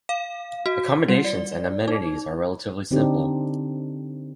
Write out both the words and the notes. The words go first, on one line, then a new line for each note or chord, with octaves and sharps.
Accommodations and amenities are relatively simple.
F5
F#4
G3
D5
D#4
D3 C4 D4 D#4 G4